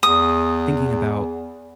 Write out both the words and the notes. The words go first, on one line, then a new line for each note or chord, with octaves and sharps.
thinking about
E2 D#6